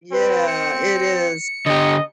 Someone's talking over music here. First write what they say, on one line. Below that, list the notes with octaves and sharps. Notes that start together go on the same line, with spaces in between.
Yeah, it is.
C4 B4
C#7
D3 G4 D#5